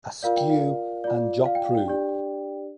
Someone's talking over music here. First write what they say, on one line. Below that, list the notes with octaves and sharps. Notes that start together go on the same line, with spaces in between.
Askew and Joppru.
F4 A#4 D5 F5
G5
F5
F4 D5
F5
G5
F5
G5
D4 G4 D5